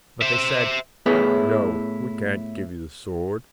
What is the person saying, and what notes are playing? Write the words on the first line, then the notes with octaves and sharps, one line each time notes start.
But they said, 'No, we can't give you the sword.
C5 E5
A2 B3 E4 G#4 B4 C#5